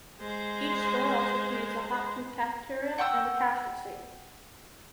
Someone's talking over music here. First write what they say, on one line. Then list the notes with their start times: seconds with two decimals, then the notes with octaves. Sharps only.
Each store also contains a hot-food cafeteria, and a cash machine.
0.20 G#3 C5
2.98 F#5 G5 C#6 E6